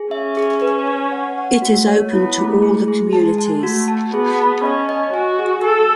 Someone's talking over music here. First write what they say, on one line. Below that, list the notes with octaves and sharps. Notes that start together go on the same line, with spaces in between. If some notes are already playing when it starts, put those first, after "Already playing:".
It is open to all the communities.
Already playing: G#4
C#4 E5
G#4
B4
B4
F#5
F#5
A3 F#4
C#5
B3 E4
A3
G#3 G#4
G#4
G#3 A5
A5
A3 F#4
A5
B3 G#4
A5
C#4 D#5
D#5
F#4 G#5
G#4
A4 G#5